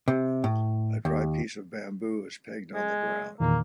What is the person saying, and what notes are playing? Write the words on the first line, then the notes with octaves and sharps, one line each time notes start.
A dry piece of bamboo is pegged on the ground.
C3
A2
D#2
G#3
E2 A#2 D#3 A#3